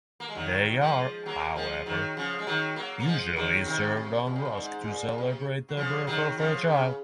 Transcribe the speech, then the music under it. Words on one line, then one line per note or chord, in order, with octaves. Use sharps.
They are, however, usually served on rusk to celebrate the birth of a child.
A#3
G#3
D#3 F#3
F3 G#3
F#3 A#3
F3 G#3
D#3 F#3
C#3 F3
G#3
D#3 F#3
F#3 A#3
A#3
F3 G#3
D#3 F#3
C3 D#3
C3
A#2
C3
A#2
G#2
G#2
A#2
A#2
C3
F#3
C#3 F3
D#3 F#3
C#3 F3
C#3